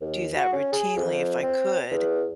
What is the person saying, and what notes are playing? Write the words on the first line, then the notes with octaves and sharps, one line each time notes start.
do that routinely if I could,
D#2
F#4
C#4
G#4
F2
C4
E2